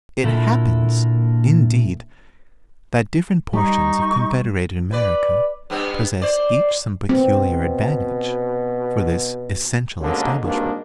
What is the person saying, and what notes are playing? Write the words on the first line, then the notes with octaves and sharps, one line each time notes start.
It happens, indeed, that different portions of confederated America possess each some peculiar advantage for this essential establishment.
A#2 D3 A#3 E4 A4
G3 D#4 C#6
B4 D5
G2 B3 C4
C5 D5
B2 C4
D#2 G#2 B2 D3 A#3 C#4
G#1 G2 A#3 D4 D#4 F#4